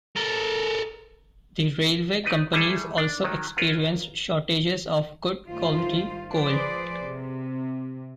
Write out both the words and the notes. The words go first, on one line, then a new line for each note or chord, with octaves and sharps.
The railway companies also experienced shortages of good-quality coal.
A4 A#4
D#4 B4 D5 D#5
G3 A3 E4 G#4 A4
D4
D#3 F#3
F4 A#4 B4 C#5
G2 D#3 A3 F4 C5
F3 G#4 B4 C5 D5
C3